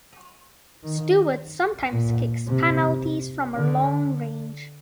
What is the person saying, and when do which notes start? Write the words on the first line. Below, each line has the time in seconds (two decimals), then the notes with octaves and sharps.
Steward sometimes kicks penalties from long range.
0.83 D#3
1.92 A#2
2.47 C3
3.56 D3